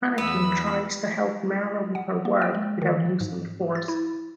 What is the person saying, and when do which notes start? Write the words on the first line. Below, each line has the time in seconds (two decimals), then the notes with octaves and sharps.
Anakin tries to help Mara with her work, without using the force.
0.18 E2 B3 B5 E6
1.95 F#5
2.25 A#3
2.42 G5
2.55 G#3
2.82 D#3
3.20 G#2
3.75 A6
3.88 E4